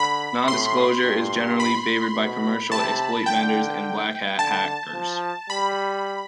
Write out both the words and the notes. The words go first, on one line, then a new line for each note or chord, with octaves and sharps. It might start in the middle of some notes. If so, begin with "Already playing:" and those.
Non disclosure is generally favoured by commercial exploit vendors and blackhat hackers.
Already playing: D3 B5
A2 C6
G2
B5
B2
C3 A5
D3 G5
D3 A5
F3
G3 B5